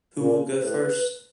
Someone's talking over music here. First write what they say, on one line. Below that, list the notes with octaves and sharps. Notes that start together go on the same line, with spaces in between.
Who will go first?
A#2
C5
A2 B4